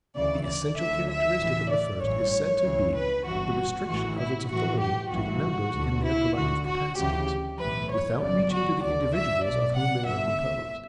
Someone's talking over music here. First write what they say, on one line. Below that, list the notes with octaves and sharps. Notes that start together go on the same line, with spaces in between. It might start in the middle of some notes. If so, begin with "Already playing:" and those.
The essential characteristic of the first is said to be, the restriction of its authority to the members in their collective capacities, without reaching to the individuals of whom they are composed.
D2 C#3 E3 D5
D5
D2 D3 E5
E5
A1 A2 E3
D5
A1 G2 E3 C#5
C#2 C#3 E3
B4
G1 G2 E3 F#4
A1 A2 E3 F#4
E4
A1 A2 E3 F#4
G4
A1 G2 E3 F#4
D2 D3
E4
D2 D3 F#4
F#4
D2 C#3 E3 G4
B1 A2 E3 B4
C#5
G1 F#2 C#3 D5
F#4
D2 D3 D5
E5
B1 B2 D5
F#5
G1 G2 D3 E5